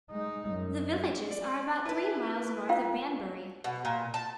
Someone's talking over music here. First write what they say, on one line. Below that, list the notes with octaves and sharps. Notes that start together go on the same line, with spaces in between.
The villages are about three miles north of Banbury.
G#3 D#4
F#2
D5
E4 B4 A5
F4 F5 G5
B2
A#2
A5